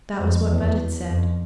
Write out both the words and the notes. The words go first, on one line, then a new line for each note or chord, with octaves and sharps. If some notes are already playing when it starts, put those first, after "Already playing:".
That was what Budd said.
F2
E2
F2